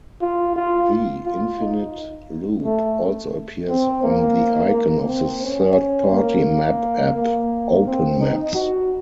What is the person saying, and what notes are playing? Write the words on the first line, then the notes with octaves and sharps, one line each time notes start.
The Infinite Loop also appears on the icon of the third-party map app OpenMaps.
F4
F4
F4
D#4
A3
C4
A#3
A#3
C4
C#4
A#3
A#3
C4
D#4
F#4